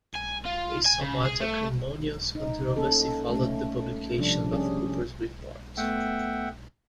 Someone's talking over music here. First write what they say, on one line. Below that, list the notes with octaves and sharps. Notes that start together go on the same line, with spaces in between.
A somewhat acrimonious controversy followed the publication of Cooper's report.
G#5
F4
G#5
C#3
G#4
A3
D#4
A#3 C#4 A4
A3 C#4
C3 F3 G3 D4
G3 C#4 G#4
A3 B3 E5 F#5 G5